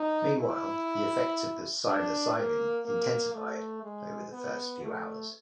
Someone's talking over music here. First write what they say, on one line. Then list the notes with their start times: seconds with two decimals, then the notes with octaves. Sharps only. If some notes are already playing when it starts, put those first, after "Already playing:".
Meanwhile, the effects of the psilocybin intensified over the first few hours.
Already playing: D#4
0.39 E4
1.87 D4
2.36 A#3
2.85 A#3
3.34 A3
3.83 G#3
4.33 B3
4.82 A3